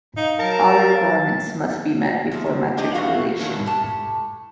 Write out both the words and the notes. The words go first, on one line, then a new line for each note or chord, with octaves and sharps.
All requirements must be met before matriculation.
D#4 F5
F#3 A#4 A5
F#2 F3
D4 G4 D#5
E2 G#2 E3 C4 F#4 F5
E2 B2 D#3 F#3
A2 G4 A5